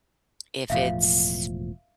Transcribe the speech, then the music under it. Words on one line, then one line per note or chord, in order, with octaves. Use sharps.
if it's
E1 A2 F3 E5 F5